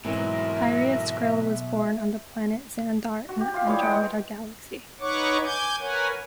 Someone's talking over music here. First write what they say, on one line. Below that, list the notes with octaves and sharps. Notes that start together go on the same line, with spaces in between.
Pyreus Kril was born on the planet Xandar, in the Andromeda Galaxy.
G#2 B2 E3 F#3 C4 A#4 E5
F#4
G4
F4 F5
E3 G3 G#4 C#5
G#3 F#5 G5
D#4 B4 C#5 F#5 C#6 D6
G#5 D6 G6 G#6
A#4 B4 C#5 F#5 G#5